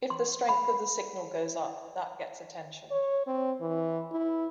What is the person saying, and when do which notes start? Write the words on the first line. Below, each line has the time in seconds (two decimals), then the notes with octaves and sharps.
If the strength of the signal goes up, that gets attention.
0.10 C6
0.49 B5
2.91 C#5
3.27 C4
3.61 E3
4.11 E4